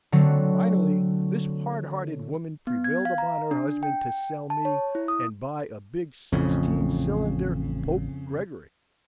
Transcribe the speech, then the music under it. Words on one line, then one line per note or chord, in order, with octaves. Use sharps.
Finally, this hard-hearted woman prevailed upon her husband to sell me and buy a big sixteen-cylinder Pope-Gregory.
D3 F#3 A3 C4
B3
G#6
F5
A#5
D4
G5
A5
C#5
E4
D#6
A1 F2 C#3 E3